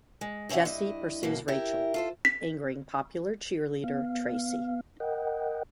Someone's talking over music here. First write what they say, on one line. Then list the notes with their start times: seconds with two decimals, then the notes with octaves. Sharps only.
Jesse pursues Rachel, angering popular cheerleader Tracy.
0.21 G#3
0.49 C3 C#4 E4 E5 F#5
0.65 G2 E4 D#5
1.23 F#2 B2 A#3
1.48 E4 G4 A#4
1.94 F4 A4 C5
2.25 B6
3.84 B3 F5
5.00 A#4 D#5 F#5 G5